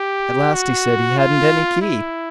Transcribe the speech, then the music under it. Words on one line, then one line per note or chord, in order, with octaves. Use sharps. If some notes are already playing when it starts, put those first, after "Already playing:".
At last he said he hadn't any key.
Already playing: G4
F#4
F4
E4